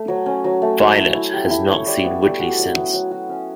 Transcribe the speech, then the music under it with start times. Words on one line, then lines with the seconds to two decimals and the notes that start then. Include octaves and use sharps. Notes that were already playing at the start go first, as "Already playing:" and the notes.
Violet has not seen Woodley since.
Already playing: A3
0.08 F#3
0.26 C#4
0.44 F#3
0.62 A3
0.79 F#3
0.97 E4
1.15 E4
1.33 G4
1.50 E4
1.68 C#5
1.86 G3
2.04 B3
2.22 G3
2.40 F#4
2.58 F#3
2.76 B3
2.93 F#3
3.11 F#4
3.29 C#4